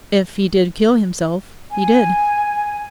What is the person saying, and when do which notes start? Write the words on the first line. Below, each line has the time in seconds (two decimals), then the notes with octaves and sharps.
If he did kill himself, he did.'
1.71 G#5